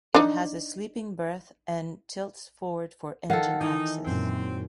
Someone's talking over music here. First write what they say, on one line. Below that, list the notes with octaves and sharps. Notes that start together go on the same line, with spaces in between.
It has a sleeping berth and tilts forward for engine access.
D4 D#4
D#3 A4 F5 F#5
E3 D#4
F#2 A#2 C4